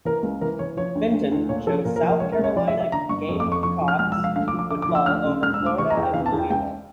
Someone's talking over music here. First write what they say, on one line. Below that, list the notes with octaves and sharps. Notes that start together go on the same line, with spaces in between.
Fenton chose South Carolina Gamecocks football over Florida and Louisville.
E3 A#4
C#2
E3 A#4
E3 C#5
F3 C#5
D2
D2
D2
A#2 C#5
F3 A4
A#2 A#4
A#4
F3
A#4
C#2 C#5
A#4
C#2
C#5
F3 D5
E5
F3
E5
D3 A#5
G1 C#6
F2
D6
F2
C#6
F3 C#6
F3
F6
E1 F6
E6
F3
F5
D2 F5
D6
F3
D6
D3 D6
D6
F3
E6
D2 F6
C#3
E1 F6
E6
D2
D6
E3 C#6
A#5
E2
G5
E3 F5
A5
E2
G5
C#2 G5